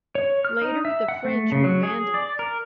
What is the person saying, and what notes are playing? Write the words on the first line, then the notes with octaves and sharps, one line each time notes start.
Later the French would abandon it.
C#5
F6
D#4
E5
F#5
A3
C#3
F#3
G#4
D5
A#4